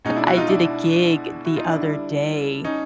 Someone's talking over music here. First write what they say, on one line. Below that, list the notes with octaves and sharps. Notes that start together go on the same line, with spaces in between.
I did a gig the other day
B2 G#3 C#4 D#4
D4 E4
E4 F#4
D#4 F4
D4 E4
E4 F#4
D#4 F4
D4 E4
D3 G3
C#4 D#4